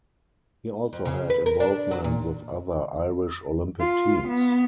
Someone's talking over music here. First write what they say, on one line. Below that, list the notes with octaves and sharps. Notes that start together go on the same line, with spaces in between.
He also had involvement with other Irish Olympic teams.
F2
C#3
B4
A#4
D4
F#3
A#2
F4
B3